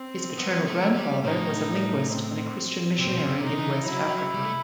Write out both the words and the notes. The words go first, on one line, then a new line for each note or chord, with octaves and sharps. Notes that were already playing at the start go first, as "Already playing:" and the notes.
His paternal grandfather was a linguist and a Christian missionary in West Africa.
Already playing: C4
B3
A3
G3
A2 D#4
C4
C3 C4
B2
C3
C3
D#4
E3
F#3 E4
F#3
G3
A3